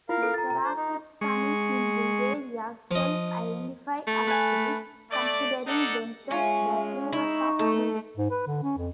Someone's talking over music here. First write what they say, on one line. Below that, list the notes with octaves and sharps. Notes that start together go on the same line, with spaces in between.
The Sarakatsani in Bulgaria self-identify as Greeks, considering themselves the purest of Greeks.
E4 F4 A#4 F5
C#4 A4
A#5 A6
C3 A#5
C5
D#4
G#3 C#6
F3 D#5
A3
B4 G#5
A3 D5
D4 D#4 A4 D5 F#5
G#3 C#4 F4 E5
D#4 E4 C#6
A3 A4
G#2
B4
D3
C#4
F2